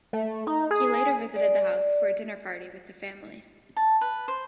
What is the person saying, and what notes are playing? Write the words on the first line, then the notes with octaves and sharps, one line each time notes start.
He later visited the house for a dinner party with the family.
A3
D#4
G#4
D5
A5
B4
C5